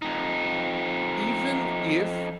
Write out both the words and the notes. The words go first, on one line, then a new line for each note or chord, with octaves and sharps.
even if
F2 D#4